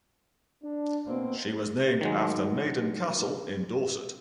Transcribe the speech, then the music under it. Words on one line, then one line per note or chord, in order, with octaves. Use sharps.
She was named after Maiden Castle in Dorset.
D4
B2 A#3 C4
D#3 F#3 G#3